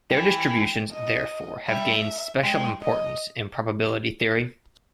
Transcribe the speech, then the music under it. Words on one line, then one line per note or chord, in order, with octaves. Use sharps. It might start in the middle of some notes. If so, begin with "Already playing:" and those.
Their distributions therefore have gained "special importance" in probability theory.
G3
E3 G5
D#5
G3 E5
G#3 G5
D#5